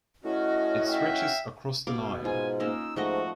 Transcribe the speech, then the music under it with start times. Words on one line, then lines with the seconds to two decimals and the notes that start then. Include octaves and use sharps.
It stretches across the Nile.
0.24 A2 C#4 F#4 D#5
0.88 E5 F5 G5
1.87 B2 F5 D6
2.25 G#2 F4 G#5
2.60 A#3 C#4 D#4 E6
2.96 G#2 F3 A3 F#4 D#5